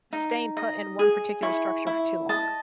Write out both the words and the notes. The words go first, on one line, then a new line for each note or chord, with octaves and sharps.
staying put in one particular structure for too long?
D#4
D#5
G#4
E4 C#6
E4
D#5 A5